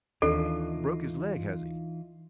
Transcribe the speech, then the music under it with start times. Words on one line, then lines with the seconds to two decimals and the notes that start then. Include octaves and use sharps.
"Broke his leg, has he?"
0.22 D#2 E3 D4 D#4 F4 A4